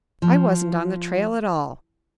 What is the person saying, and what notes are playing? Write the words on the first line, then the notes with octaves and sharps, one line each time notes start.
I wasn't on the trail at all.
F3